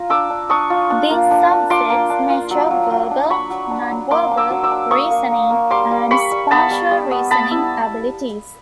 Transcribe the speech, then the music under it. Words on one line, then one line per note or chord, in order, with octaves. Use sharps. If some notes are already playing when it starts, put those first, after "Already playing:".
These subtests measure verbal, nonverbal reasoning, and spatial reasoning abilities.
Already playing: F4 A#5
D4 D6 E6
D4
D4 C#6 D#6
F4
D4
A#3
D4
D4
F4 C6 D6
A#3
D4
F4
F#3
F#3
F#3
D4
D4 B5 C#6
F#3
D4
F#3
A#3 C6 D6
D4
D6 E6
F#3
D6 E6
D4
A#3 C#6 D#6
A#3
A#3
A#3
G3 C6 D6
G3
G3 B5 C#6
G3
B3 A5 B5
G3
G3
B3
B3 A5 B5
E4